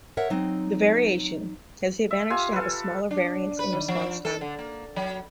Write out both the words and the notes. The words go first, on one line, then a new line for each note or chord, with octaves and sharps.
The variation has the advantage to have a smaller variance in response time.
A#4 C#5 E5 F#5
F#3 C4 D#4
E5
F4 G4 F5 G#5
A4 B4
D4
B4
D#3
F3
A4
D3
A#3
F#3